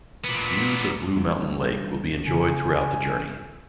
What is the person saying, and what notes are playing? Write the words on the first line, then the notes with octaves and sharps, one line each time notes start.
Views of Blue Mountain Lake will be enjoyed throughout the journey.
A#2 B3
G2 C#3 E3
C#3 G#5